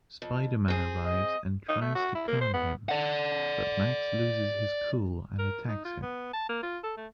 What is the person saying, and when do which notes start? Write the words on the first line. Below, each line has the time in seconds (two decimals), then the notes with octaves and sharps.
Spider Man arrives and tries to calm him, but Max loses his cool and attacks him.
0.22 F2
0.68 C4 G#4
1.05 D#5
1.69 D#4
1.81 A3
1.95 F#4
2.15 E4
2.28 A#3
2.41 C5
2.54 B3
2.89 D5 F#5
5.39 A#4
5.68 D#4
5.85 F4
6.02 B3
6.33 A5
6.49 A#3
6.63 F4
6.84 A4
6.97 A3